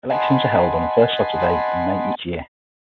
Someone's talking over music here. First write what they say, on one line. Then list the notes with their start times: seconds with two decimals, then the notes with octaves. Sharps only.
Elections are held on the first Saturday in May each year.
0.10 D#5 F#5 G#5 A5 B5 C6